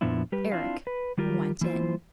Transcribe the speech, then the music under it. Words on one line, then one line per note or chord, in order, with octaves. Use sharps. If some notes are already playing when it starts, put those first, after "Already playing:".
Eric went in.
F2 A#2 F3 B3 D4 E4
G3 G4 B4
C4 D4 E4 F4 F5
B4
D#3 G3 F4 G4 A#4
E3 A#3 E4 F4 C5